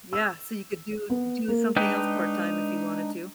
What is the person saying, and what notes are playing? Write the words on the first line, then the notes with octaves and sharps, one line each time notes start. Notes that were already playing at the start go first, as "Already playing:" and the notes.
yeah, so you could do do something else part-time if you wanted to.
E6
B3
A#3
G#3 D4 D#4 B4 G5